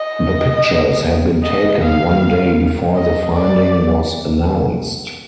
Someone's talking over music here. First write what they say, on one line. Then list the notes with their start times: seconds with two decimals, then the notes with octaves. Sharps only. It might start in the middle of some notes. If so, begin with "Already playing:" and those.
The pictures had been taken one day before the finding was announced.
Already playing: D#5
1.43 D#5
1.82 F5
2.95 D#5
3.32 D5